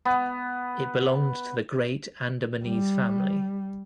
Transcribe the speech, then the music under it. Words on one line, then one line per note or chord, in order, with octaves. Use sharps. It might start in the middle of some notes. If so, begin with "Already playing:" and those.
It belonged to the Great Andamanese family.
B3
G3